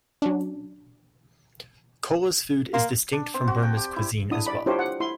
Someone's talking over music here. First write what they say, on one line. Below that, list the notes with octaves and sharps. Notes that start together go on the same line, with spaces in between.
Kola's food is distinct from Burma's Cuisine as well.
F#3 C#4 D4
A#3 C6
D4
C4
F#4
G5
G4
E4
D4 E4 D#6
D5 B5
D4 E4 F4 G4 C5 C#5
F#5
E4 C6